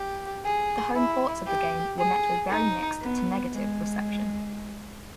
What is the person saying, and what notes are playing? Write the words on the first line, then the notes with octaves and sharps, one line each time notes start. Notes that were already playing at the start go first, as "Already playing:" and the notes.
The home ports of the game were met with very mixed to negative reception.
Already playing: G4
G#4
E4
G4
G#4
D#4
B3
G#3